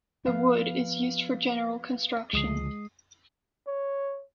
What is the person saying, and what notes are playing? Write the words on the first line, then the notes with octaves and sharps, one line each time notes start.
The wood is used for general construction.
F3 B3 B4 F5
C#2 D3 F3 G#3 D#6 C7
C#5